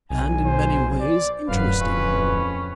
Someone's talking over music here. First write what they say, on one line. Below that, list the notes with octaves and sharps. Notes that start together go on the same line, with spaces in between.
And in many ways interesting.
B1 G#5
C5
D5
D1 F#2 B4 F5
F2 C#4